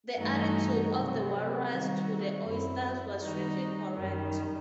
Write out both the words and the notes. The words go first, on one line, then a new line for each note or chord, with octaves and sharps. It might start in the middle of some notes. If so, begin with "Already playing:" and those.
The attitude of the walrus to the oysters was strictly correct.
G2 E3 A3 D#4 F#4
C3 F#3 C4 F#4
D#3 G3 C4 D#4 F#4
F#2 F#3 C4 E4
D#3 G3 D#4 F#4
F#2 D#3 G3